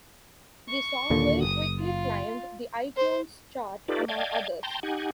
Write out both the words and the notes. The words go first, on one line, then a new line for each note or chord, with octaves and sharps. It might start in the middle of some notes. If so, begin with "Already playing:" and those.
The song very quickly climbed the iTunes chart among others.
C#6
D#2 A#2 D3
F#1 D#6
F4
C5
D#4 F4 G4 A4 B4 D5
D5 D#5 F5 G5 A5 G#6
G5 A5 A#5 C6
D#4 G4 F#5 G#5